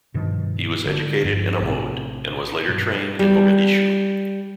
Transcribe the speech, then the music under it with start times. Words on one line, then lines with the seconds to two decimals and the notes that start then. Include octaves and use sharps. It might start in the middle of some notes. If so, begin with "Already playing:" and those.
He was educated in Amoud, and was later trained in Mogadishu.
0.14 G2 B2 D#3 F3
0.84 G#1 D3
1.25 G2 F3 B3
1.60 A#1 A2 C3
2.68 G2 B2 F#3
3.19 G3